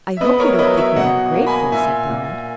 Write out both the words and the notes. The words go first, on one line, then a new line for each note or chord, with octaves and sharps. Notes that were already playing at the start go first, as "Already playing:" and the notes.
"I hope you don't think me ungrateful," said Bernard.
E5
B3 B4 D#5
B4
A#4 C#5
E5
F#3 B4 D#5
C#5 E5
B2 D#5 F#5
A#3
G#5 B5
A#2 E5 G#5
A#2